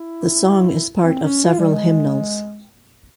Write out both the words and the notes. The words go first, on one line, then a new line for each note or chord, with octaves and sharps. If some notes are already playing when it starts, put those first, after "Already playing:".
The song is part of several hymnals.
Already playing: E4
C4
C#4
F4
G3
G#3